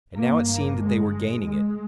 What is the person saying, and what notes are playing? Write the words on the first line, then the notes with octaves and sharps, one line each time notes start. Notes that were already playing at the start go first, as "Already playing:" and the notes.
And now it seemed that they were gaining it.
G1 G2 A#3
A#3
G#3
G#3